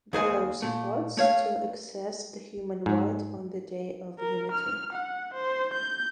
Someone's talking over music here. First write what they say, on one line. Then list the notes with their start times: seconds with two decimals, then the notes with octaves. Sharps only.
Belos plots to access the human world on the Day of Unity.
0.13 D#2 G#4 C5 G#5
0.62 A#2 A3
1.17 A3 C#5 F5
2.86 G#2
4.20 A#4
4.52 F6
4.92 F#5
5.34 C5
5.74 G6